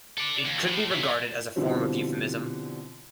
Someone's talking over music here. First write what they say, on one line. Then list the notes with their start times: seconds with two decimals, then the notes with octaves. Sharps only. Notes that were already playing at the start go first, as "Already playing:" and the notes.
It could be regarded as a form of euphemism.
0.18 A4 D5
0.45 D#2
0.68 A2
0.91 F3 E4
1.56 B2 D3 E3 F3 G3 C4